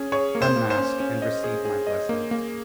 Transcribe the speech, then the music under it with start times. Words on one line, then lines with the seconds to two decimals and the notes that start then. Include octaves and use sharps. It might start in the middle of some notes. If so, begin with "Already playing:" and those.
Unmask, and receive my blessing.
Already playing: C#4 G#4
0.12 G#4 C#5
0.35 A#3
0.42 C5
0.56 A#3
0.70 C5
0.77 C#4
1.00 C#4
1.22 D#5
1.44 G#4
1.65 G#4
1.87 D#5
2.09 A#3
2.31 A#3